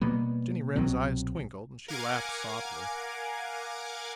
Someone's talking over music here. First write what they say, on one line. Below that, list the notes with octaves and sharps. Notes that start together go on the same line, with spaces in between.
Jenny Wren's eyes twinkled, and she laughed softly.
B2 G3 A#3 B3
C2 B2 F#3 C4
A#4 F5 F#5 G#5 D6 G#6